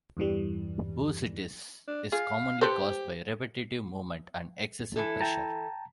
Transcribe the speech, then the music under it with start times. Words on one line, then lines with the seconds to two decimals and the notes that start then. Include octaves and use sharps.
Bursitis is commonly caused by repetitive movement and excessive pressure.
0.17 E2 G2 E3 G3
1.88 D4
2.12 G#4 F5
2.61 G4 A4 B4 C5
4.96 E3 E4 A4
5.21 G5 A5 A#5